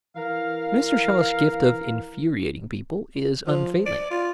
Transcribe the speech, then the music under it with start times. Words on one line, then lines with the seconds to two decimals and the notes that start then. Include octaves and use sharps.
Mr. Shaw's gift of infuriating people is unfailing.
0.16 E3 A#4 F5
3.47 F3
3.86 D5
4.11 F4